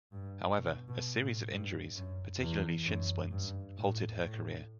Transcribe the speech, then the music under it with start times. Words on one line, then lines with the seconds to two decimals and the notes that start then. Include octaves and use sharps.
However, a series of injuries, particularly shin splints, halted her career.
0.12 G2
0.58 B2
0.88 B2
1.19 A2
1.49 G2
1.95 F#2
2.40 E2
2.86 F#2
3.31 G2
3.77 A2
4.23 A2